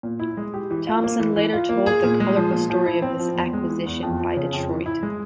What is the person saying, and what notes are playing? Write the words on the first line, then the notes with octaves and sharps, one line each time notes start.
Thompson later told the colorful story of his acquisition by Detroit.
A#2
E4
G#3
G4
E3
F4
A#3
E3
E3
F4
A#3
G#4
A#2
G#3
F3
A#2
F3
E4
C4
F3
E2
G#3
E3
E2
F2
F3
C#3
F2
E3
E4
G#3